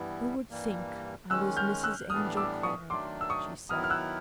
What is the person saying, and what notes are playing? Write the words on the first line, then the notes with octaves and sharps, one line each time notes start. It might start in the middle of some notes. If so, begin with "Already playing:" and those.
"Who would think I was Mrs Angel Clare!" she said.
Already playing: G2 E3 G3 B3 E4
G2 E3 G3 A#3
D#3 G#3 C#4 E6 F#6
F6 G6
E6 F#6
A2 E3 G3 B3 D4 D#6 F6
D6 E6
C#6 D#6
D#3 F#3 A3 D4 C6 D6
E6
C#6 D#6
D#3 F#3 B3 E4 D#6 F6
F6
E6 F#6